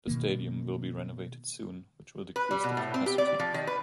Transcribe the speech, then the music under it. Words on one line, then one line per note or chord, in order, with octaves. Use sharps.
The stadium will be renovated soon, which will decrease the capacity.
B2 D#3 A#3
B4
G3
B2
A2
C4
G4
D5
F3
D#3
B4